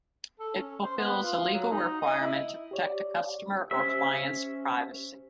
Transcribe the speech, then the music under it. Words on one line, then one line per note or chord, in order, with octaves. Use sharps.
It fulfills a legal requirement to protect a customer or client's privacy.
A4
C#4
C5
B3
F4
F#3
D#4
D#5
E4
G4 C#5 D5
C#4 G4 C5 E5